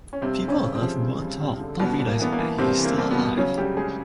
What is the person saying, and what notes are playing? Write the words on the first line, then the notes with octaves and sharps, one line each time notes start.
People on Earth mourn Tom, not realising that he is still alive.
C#4
G2 C3 C4
G2
C#3 C#4
G2
C3 C4
F3
G2
G2
G2
D3
C2 B2 B3
C2
A#3
E3 B3
A#3
E3
C2 C3 C4
E3
A#3
C2
B2 B3
C2
C#3 F#3 C#4
D2 G3 G4
D2 G#3 G#4